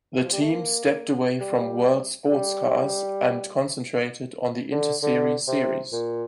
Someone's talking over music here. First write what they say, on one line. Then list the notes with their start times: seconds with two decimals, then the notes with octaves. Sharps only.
The team stepped away from World Sportscars and concentrated on the Interserie series.
0.15 E3
0.23 F3
0.32 G3
0.41 A3
0.50 A#3
1.40 G3
2.31 G3
4.72 D3
5.02 D3
5.47 C3
5.92 A#2